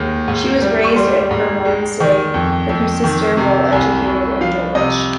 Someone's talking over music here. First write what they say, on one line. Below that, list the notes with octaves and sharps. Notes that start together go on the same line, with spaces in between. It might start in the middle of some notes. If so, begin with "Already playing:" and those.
She was raised in Bermondsey with her sister while educated in Dulwich.
Already playing: D#2 G#3
G#2
G3
C#6
G3 C6
G#2
G#3
D#3
F2
F2
D#3
C3
C2 G#5
C2
F3 F5
C3 D#5